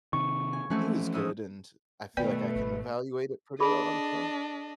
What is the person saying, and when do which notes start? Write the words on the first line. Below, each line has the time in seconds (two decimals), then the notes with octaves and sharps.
he was good, and I feel like I can evaluate it pretty well on some
0.13 C3 D#3 C#6
0.53 G#5
0.70 E3 F3 A3 C4 C#4
1.14 A2 E5 D#6
2.17 B2 D#3 A3 B3 B4 D5 G5
2.55 G#1 E3
3.60 D4 G#4 A4 D#5 B5